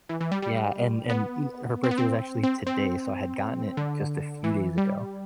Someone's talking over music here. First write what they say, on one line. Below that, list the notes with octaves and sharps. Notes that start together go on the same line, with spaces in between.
Yeah. And and n her birthday was actually today, so I had gotten it just a few days ago.
E3
E3
G3
G3
B3
C4
B3
C4
C4
C4
D3
E3
G3